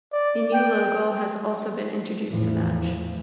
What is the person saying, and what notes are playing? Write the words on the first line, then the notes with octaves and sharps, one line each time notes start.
A new logo has also been introduced to match.
D5
G5
E2 A2 E3 F3